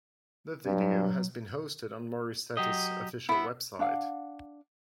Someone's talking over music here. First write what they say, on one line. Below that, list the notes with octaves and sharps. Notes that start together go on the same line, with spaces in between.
The video has been hosted on Morissette's official website.
G2 F#3
F#3 G4 D#5
B3 E4 E5
D4 F5 F#5